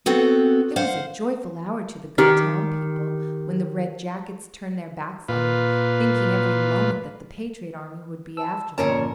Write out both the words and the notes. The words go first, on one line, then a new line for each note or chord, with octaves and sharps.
It was a joyful hour to the good town people when the red-jackets turned their backs on them, thinking every moment that the patriot army would be after them.
B3 C4 F#4 A4
C5 F5 F#5
D#3 G4
A#2 F4 B4
A5 E6
G1 F2 A#2 C#4 A#4 C#5 A5